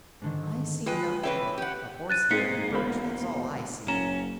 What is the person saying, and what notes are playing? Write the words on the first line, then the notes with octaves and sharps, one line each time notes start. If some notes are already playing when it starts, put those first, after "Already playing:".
'I see nothing but the horse hair in the birch; that's all I see!'
G#2 D3 D#3
G#3 F4 B4 G5
E3 B4 C#5 E5 G5
G4 F#5
F#6 A6 D#7
G#2 G#3 A#3 C4 D#4 B6 C#7
E1 A#4 C5 B5
F#1 C#4 A#5 E7